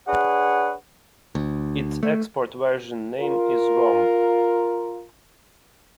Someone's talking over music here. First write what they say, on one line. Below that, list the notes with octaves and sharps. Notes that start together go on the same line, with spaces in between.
Its export version name is Romb.
D4 G#4 B4 C#5 F#5
D2
A3
F4 A#4